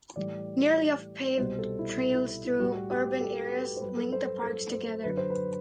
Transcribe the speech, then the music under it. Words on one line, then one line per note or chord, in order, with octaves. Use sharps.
Nearly of paved trails through urban areas link the parks together.
A2 E3 G3 D5
C2 B2 G3 C5
A4
E4
E4
E4
A2 G3 F#4
G4
A4
B4
C5
G2 F#3 B4
A4
C5
A4
C5
F#2 D3 F#3 B4
C5
B4